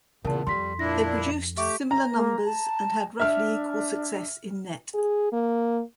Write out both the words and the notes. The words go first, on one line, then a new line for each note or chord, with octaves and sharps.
They produced similar numbers and had roughly equal success in net.
E2 A#2 C#3 A#4 A5
F2 G3 C6 B6
A#2 D4 E4 A#6
A3 G4 E5 C#6 D6
A#5
A#3
A5
D4 E5 F6
G#4
A#3